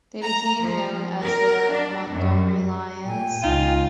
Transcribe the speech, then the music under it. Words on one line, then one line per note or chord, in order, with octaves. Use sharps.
They became known as the Montgomery Lions.
A#5
F3
A#4
D4
F#2
A#2 G5 G#5
C#2 D#4 F4